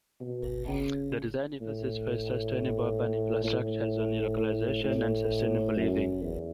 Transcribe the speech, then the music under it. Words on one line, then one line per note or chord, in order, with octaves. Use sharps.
The design emphasis for a sustainable urban infrastructure is on localization and sustainable living.
B2
C#3
A2
A2
A2
F#2
E2